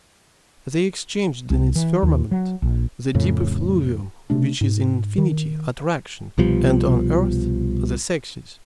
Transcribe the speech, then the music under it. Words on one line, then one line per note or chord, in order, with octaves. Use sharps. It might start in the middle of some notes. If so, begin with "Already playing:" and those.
They exchanged in its firmament the deep effluvium which is in infinity attraction, and on earth the sexes.
C2
E3
D#2
F#3
A#1
F2 A2 C#3
C3 A3 D4
G#2
D#3
C2 B2 F3 G3